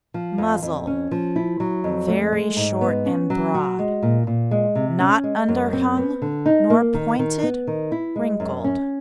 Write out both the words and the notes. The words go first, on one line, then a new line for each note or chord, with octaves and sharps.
MUZZLE--Very short and broad; not underhung nor pointed; wrinkled.
F3
F2
F2
C#4
F3
E4
F#3
F2
A3
G#3
G#2
B3
C#4
F#3
F#4
G#3
A#2
A#2
G#3
C3
C#4
G#3
F#2
C4
B3
D3
D#4
A#3
D#3
D#3
B3
D#3
E4
G#3
F#2
C#4